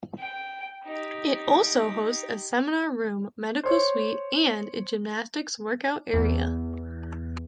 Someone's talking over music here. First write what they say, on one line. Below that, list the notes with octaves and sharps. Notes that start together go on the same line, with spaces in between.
It also hosts a seminar room, medical suite, and a gymnastics workout area.
G5
D#4 G4
C5 C#5
E2